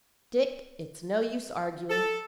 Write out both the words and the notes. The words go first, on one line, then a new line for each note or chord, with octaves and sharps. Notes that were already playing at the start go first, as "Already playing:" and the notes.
Dick, it's no use arguing.
A4